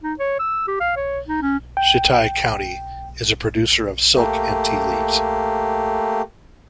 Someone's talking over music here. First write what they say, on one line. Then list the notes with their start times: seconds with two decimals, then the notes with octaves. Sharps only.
Shitai County is a producer of silk and tea leaves.
0.04 D#4
0.19 C#5
0.39 E6
0.68 G4
0.80 F5
0.97 C#5
1.28 D#4
1.42 C#4
1.77 G5
4.16 A3 A#3 G4